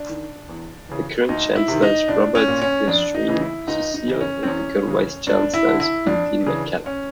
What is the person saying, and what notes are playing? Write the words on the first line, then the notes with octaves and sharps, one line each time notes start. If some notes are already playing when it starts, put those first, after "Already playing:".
The current chancellor is Robert Gascoyne-Cecil and the current vice-chancellor is Quintin McKellar.
Already playing: D4
D#3
E2
C#3 E3
D2 D#4
E4
C3 D#3
D#4
C2 D4
C#4
A#2
C#4
F2 D4
D#4
C#3 E3
E4
C#2 D#4
D#4
C#3 E3
C#4
C4
E2 C#4
C#3 E3
G2 D4
E4
D3
E4
F2 D4
C#3 E3
C#4